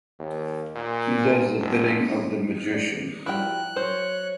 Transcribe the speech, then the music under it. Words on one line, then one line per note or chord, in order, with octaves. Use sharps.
He does the bidding of the Magician.
D#2
A#2
F1
G#3 D5
F3 G3 E4 F#4 A#4 G5 F#6
F#3 C5 C#5